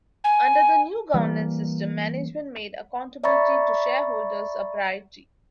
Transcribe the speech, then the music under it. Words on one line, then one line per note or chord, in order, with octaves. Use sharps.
Under the new governance system, management made accountability to shareholders a priority.
G#5
E3 G3 G#3 A#3
D5 E5 A#5 B5 C#6 A6